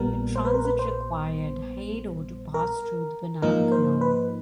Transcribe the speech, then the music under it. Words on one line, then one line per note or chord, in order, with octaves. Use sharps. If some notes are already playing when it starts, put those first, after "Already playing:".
The transit required "Haddo" to pass through the Panama Canal.
Already playing: A#1 A#2 G3 B3 A#4
C5
B4
A#4
B4
C5
A#4
G#2 F3 A#3 D#4 A#4
C5
B4